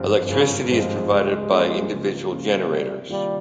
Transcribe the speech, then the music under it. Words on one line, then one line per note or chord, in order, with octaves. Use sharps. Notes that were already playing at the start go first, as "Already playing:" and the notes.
Electricity is provided by individual generators.
Already playing: G#1 G2 F3 C4 F4
G#1 C#3
G2 F3 G#3 C4 F4
C#2
C#3 F3 A#3
C#2
C#3 F3 A#3
C3 G3
D#3 G3 A#3 F4